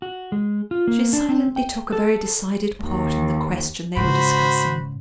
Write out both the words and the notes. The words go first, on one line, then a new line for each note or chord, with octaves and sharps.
She silently took a very decided part in the question they were discussing.
F#4
G#3
F4
A#3
D4
C4
G5
A4
D#2
G#2 C#3 F#4 C5 B5